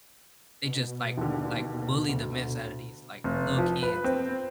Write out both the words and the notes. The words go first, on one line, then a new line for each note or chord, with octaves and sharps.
they just, like like bully the mess out of these, like, little kids.
B2
D#2 D3
D2
F1
F3
B4
C4